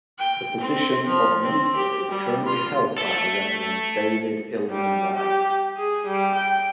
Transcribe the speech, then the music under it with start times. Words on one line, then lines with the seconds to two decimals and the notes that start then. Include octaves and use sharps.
The position of minister is currently held by the Reverend David Illman-White.
0.19 G5
0.61 C4
1.07 F3
1.43 C4
1.76 G4
2.12 G3
2.46 F4
2.98 A4 E5
4.70 G3
5.14 G4
5.77 G#4
6.07 G3
6.36 G5